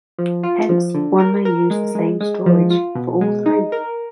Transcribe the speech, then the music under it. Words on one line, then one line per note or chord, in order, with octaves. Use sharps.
Hence one may use the same storage for all three.
F3
F4
F3
D3
A#4
A#4
G#3
G#3
G#3
F3
F4
B2
G#3
D#4
A#4